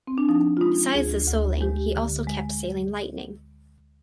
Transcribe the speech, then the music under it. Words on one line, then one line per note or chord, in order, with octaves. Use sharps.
Besides the Soling he also kept sailing Lightning.
C4
D4
F3 D#4
F4
G#3 D#4
D2 G#4
D2
G#3 G4
D3
G#3